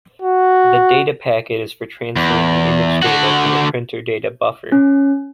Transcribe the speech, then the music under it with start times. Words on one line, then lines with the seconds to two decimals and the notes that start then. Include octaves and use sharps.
The data packet is for transferring the image data to the printer data buffer.
0.22 F#4
2.16 E2
3.02 D3 F#4
4.72 C#4